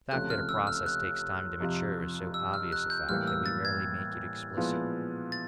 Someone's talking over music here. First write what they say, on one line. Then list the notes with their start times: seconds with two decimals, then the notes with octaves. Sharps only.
The fact that a process takes time to mature is so obvious a fact that we rarely make it explicit.
0.11 C#2 C3 F3 A3 C#4 F#6
0.30 F6
0.49 E6
0.67 F6
0.86 F#6
1.60 F2 C3 F3
2.34 E6
2.54 F6
2.72 F#6
2.90 G6
3.09 A2 E3 G3 A#3 F6
3.27 E6
3.46 A6
3.65 G#6
4.57 A#2 F3 G#3 B3 E4
5.32 A6